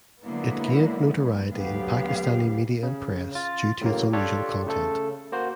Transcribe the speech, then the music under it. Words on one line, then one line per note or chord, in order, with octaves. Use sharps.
It gained notoriety in Pakistani media and press due to its unusual content.
D3 F#3 G#3 A#3 B3 E4
D2 F#3 B3 G4 F5
C#3
F4 A6
A2 C#3 F#3 A#3
D4 F4 G4 A4 C#5
C#3 A3 A4
A#3 F#4 C5